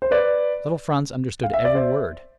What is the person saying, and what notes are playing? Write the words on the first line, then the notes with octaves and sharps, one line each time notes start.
Little Franz understood every word.
C5
B4 D5
F5
E5
D5
C5 E5